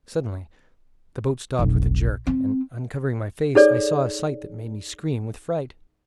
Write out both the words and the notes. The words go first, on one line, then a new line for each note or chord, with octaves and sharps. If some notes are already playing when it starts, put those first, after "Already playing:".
Suddenly the boat stopped with a jerk, and uncovering my face, I saw a sight that made me scream with fright.
F1 B1
C4
D#4 G#4 A4 C#5 D5